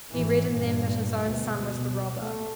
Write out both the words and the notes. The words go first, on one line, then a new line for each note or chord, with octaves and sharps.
He read in them that his own son was the robber.
G#1 E3
G2 A#2
D2 B2
B2
A3